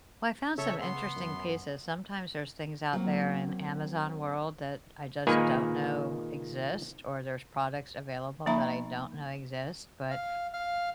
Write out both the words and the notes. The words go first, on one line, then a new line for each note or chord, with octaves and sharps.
Well, I found some interesting pieces, sometimes there's things out there in Amazon world that I just don't know exist, or there's products available that I don't know exist, but
C#3 A4 C#5 E5
B3 C6
F#2
F#3 A#3 C4 F#4
A#2 D#3 G#3 A#3 B4 G#5
F3 A#3 D#4 E5 A#5 B5
F5
F5